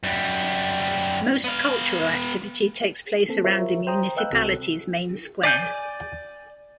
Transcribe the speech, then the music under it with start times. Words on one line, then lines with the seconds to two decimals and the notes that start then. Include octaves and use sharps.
Most cultural activity takes place around the municipality's main square.
0.03 F#2 G3
1.44 B3 F5
3.28 A#3 C4 A4
3.44 F4 G4 A#4 C5 C#5 E5
3.87 C5 G5 A#5 D#6
4.16 B4 D#5 F5 G5 E6 F#6
4.32 C2 C4 F#4 A4 E6
5.43 D5 G#5 G6